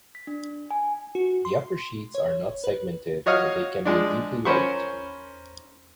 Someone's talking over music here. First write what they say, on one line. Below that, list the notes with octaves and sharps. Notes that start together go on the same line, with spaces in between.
The upper sheets are not segmented but they can be deeply lobed.
B6
D4
G#5
F#4
C6
C#5
B4
F#4 C#5 D#5 F5 F6
F3 G#3 D4
C#4 A#4 C5 B5 C#6